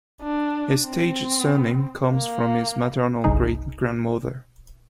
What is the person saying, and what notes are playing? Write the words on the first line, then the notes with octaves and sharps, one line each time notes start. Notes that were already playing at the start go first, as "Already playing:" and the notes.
His stage surname comes from his maternal great-grandmother.
D4
C4
A#3
G1 C2 D#4 G#4